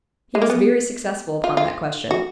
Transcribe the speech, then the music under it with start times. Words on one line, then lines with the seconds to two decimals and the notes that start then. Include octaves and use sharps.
He was very successful upon that question.
0.35 G#3
0.42 A#3
0.50 B3
1.44 F4
1.57 F4
2.11 F#4